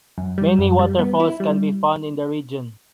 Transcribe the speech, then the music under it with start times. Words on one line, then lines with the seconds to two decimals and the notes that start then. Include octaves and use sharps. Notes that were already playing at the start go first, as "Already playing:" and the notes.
Many waterfalls can be found in the region.
0.18 F#2
0.38 G3
0.59 F#2
0.79 G3
0.99 B3
1.20 E4
1.40 G3